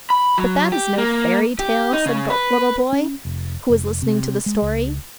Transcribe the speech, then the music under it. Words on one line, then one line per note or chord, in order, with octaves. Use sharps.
"But that is no fairy tale," said the little boy, who was listening to the story.
B5
F#3
G4
A#3
G4
D#4
C#3
B4
C#4
F1
F1
C3
G#3
C#2